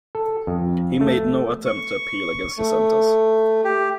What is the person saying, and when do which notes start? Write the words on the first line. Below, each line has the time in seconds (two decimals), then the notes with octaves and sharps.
He made no attempt to appeal against the sentence.
0.15 A4
0.47 F2
1.01 A3
1.66 C#6
2.58 A3
3.64 G4